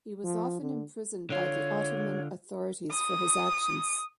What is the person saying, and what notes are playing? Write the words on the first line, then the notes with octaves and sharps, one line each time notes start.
He was often imprisoned by the Ottoman authorities for his actions.
F3
D3
D3 F4 C#5
D#6